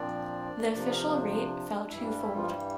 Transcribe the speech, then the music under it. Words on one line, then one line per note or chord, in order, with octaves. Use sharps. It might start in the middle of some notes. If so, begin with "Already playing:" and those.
The official rate fell twofold.
Already playing: A#2 F3 C4 D4 D5
C3 F3 A#3 D4 D5
A#3 A#4
D4
D4
G2 E3 G3 E4
D4
E4
F3 F4